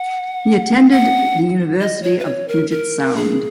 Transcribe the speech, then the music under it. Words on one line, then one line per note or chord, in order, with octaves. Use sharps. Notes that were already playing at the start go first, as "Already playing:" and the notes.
He attended University of Puget Sound.
Already playing: F#5
F#5
D#5
C#5
B4
C#5
A#4
A#4
G#4